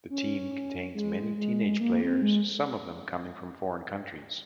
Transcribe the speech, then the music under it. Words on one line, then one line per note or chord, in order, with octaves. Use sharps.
The team contains many teenage players, some of them coming from foreign countries.
C#4
G#3
G#3
A#3
C4
G#3